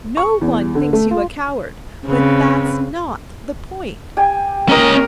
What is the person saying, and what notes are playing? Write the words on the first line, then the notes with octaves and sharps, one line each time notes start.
No one thinks you a coward, but that's not the point.
C#6
E2
D3
A3
F4
C#3 C4 B4
G4 G#5
A#3 C#4 A#4 C#5 D#5 A#5 E6